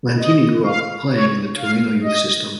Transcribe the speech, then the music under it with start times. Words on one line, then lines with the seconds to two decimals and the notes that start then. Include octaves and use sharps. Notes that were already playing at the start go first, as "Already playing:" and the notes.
Lentini grew up playing in the Torino youth system.
0.18 D#5
0.65 F5
1.11 C#5
1.57 F5
2.03 D#5